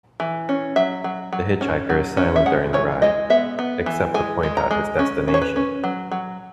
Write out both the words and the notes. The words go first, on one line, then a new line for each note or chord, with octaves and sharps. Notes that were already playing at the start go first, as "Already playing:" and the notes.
The hitchhiker is silent during the ride, except to point out his destination.
E3
C#4
F#3 E5
F#3
F#3
C#4
F#3
C#4
E5
G#3 F#5
E3 C#5
G#3 D#5
B3 E5
B3
E3
G#3 G#5
G#3
A#5
G#3
C#4
C#4
C#5
B4
C#4
F#3
F#3